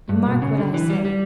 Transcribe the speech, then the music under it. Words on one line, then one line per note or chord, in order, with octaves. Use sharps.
You mark what I say.
G2
B2
C#3
D3
E3
G3
G3